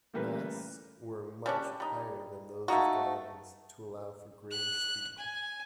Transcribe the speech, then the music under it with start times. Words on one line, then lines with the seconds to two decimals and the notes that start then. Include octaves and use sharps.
Masts were much higher than those of galleons to allow for greater speed.
0.14 E3 G3 A3 A#3 C#4 B4
1.46 G3 C#4 D4
1.80 G3 D#4
2.68 A3 A#3 D#4 F#4
4.51 F#6
5.18 G#5